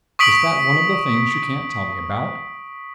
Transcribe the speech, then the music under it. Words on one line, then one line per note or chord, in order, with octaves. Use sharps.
"Is that one of the things you can't tell me about?"
C#6 D#6 B6 D7 F#7